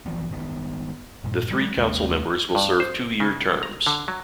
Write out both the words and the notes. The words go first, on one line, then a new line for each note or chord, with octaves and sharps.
The three Council Members will serve two-year terms.
G#1 E3 F3 B3
G#1 D#3 B3
G2 A#2
F#3 G#3
D#2 C3 G#3 A#3
G2
C5
C#3
A#5
D3
F#3